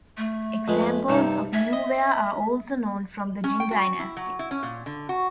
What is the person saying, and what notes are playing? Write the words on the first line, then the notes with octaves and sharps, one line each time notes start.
Examples of Yue ware are also known from the Jin dynasty.
A3
F2 G#3 B4
G2 C3 D#4
E5 G#5
D#5
C#4
G5
F#4
E4
F#3
E4
C#4
A#2
D3
F#4